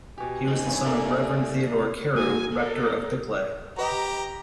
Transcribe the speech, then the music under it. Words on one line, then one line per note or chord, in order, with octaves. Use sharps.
He was the son of Reverend Theodore Carew, rector of Bickleigh.
B2 G4 G#5
C4 D#4
G2 E3 C#4
A3 A#3 D4 G4 D5 E5
A#5
A#3 F#4 G#5
A4 A#4
G4 B4 D#5 A#5